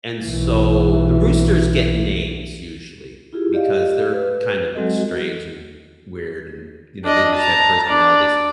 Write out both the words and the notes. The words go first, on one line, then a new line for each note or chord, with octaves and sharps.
and so, the roosters get names usually, because they're kind of strange and weird, and, you know, they just have personalities.
B1 E3
E4 F4 G4 G#4
G4 D5 D#5 F5
B4
F#3 G#3 C4 F#4 A4 D#5
D4 D#5
A5 A#5
D4 D5